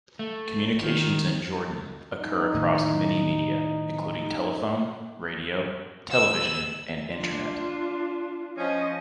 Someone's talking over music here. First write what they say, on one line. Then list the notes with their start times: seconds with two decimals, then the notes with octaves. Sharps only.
Communications in Jordan occur across many media, including telephone, radio, television, and internet.
0.19 A3
0.83 D#3
2.21 D#4
2.55 A2 D#3
6.10 E6
7.12 D4 F4
8.57 F3 C#4 D#5